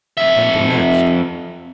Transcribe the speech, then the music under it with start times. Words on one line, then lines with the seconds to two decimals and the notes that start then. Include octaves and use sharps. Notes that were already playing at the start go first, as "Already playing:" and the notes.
And the next?
0.17 F2 E5